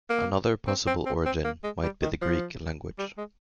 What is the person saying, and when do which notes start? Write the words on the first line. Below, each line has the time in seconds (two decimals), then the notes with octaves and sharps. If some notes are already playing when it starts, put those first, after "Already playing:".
Another possible origin might be the Greek language.
0.10 A#3
0.67 C4
0.87 C4
1.06 C4
1.26 C4
1.44 A#3
1.63 G#3
1.83 G3
2.02 D#3
2.21 F3
2.98 G3
3.17 G#3